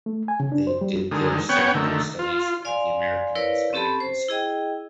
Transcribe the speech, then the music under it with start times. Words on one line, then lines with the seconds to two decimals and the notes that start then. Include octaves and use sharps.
They did their secondary studies at the American Hispanic High School.
0.06 A3
0.28 G#5
0.40 C#3
0.52 D4
0.67 C5
0.81 G3
1.11 D3 D#3 G#3
1.49 B3 C#4 C#5 F#5 G5
1.75 D3 D#3 A3
2.19 F4
2.65 D5 F5 G#5 C6
3.35 E4 A#4 B4 C#5 D5 F5
3.73 C4 C#4 G4 A4 A5 B5
4.00 C5
4.28 E4 G#4 D#5 G5